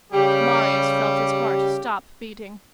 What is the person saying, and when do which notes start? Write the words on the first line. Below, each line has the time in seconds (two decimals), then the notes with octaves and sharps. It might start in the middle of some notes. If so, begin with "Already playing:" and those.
Marius felt his heart stop beating.
0.12 C#3 G3 G4